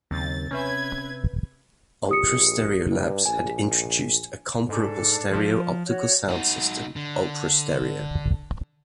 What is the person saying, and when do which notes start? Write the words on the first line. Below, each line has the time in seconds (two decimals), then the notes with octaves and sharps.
Ultra Stereo Labs had introduced a comparable stereo optical sound system, Ultra Stereo.
0.11 D#2 C#3 F#3 C4 A6
0.51 C3 C4 C#4 B4 E5 G#6
2.09 A#1 G4 D#6 C#7
2.90 G2
3.26 A#1 G#5
4.68 G#2 D4 A4
5.32 F3
5.87 F#4 C#5
6.29 D#4 F#4
6.96 D3